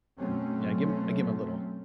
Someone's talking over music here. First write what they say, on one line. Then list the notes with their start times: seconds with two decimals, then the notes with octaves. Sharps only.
Yeah, I give him I give him a little.
0.18 F#2 B2 F#3 A3 C4 C#4